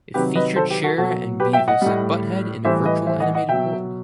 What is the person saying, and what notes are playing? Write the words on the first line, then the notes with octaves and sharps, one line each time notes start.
It featured Cher and Beavis and Butt-Head in a virtual animated world.
C3 D#3 F#3 G4 B4
B4 D#5
A4 C5
G4 B4
F#4 A4
B2 F#3 F#4 A4
G4 B4
E5 G5
D#5 F#5
A2 G3
A2 E3 G3 C5 E5
B4 D#5
C5 E5
D#5 F#5
D#5 F#5
B2 F#3 E5 G5